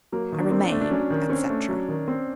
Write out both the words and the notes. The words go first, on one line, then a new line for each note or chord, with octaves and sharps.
I remain, etc.
F#3 A#3
D#3
D4
C4
D4
A3
D4
F#3 C#4
D#3
C4 C#4
A3
F#3
D#3
C4